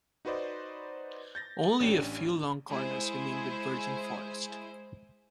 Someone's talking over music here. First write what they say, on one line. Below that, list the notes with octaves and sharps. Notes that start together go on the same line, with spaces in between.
Only a few long corners remain with virgin forest.
D#4 F#4 B4 C5 D5 D#5
G6 A6 A#6
A1 C#4 D4 G4 D#7
G#3 E4 G#4 C5